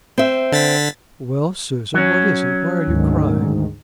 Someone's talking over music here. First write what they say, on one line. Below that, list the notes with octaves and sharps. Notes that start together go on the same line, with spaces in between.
'Well, Susan--what is it?--why are you crying?'
C4 E5
D3 A6 B6
F#3 C#4
D2 G#2 D#3